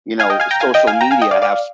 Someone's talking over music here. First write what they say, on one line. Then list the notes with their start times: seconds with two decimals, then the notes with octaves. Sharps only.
you know, social media have s
0.20 F5 G#5
0.30 D#5 G5
0.40 F5 G#5
0.51 G5 A#5
0.60 F5 G#5
0.74 D#5 G5
0.87 F5 G#5
1.01 G5 A#5
1.11 F5 G#5
1.21 D#5 G5
1.31 D5 F5
1.42 D5 F5